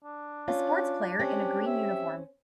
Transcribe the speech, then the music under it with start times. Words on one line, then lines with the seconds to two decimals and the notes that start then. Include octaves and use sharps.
A sports player in a green uniform.
0.04 D4
0.48 C#4 F4
1.19 C4 C#4 G4
1.66 E5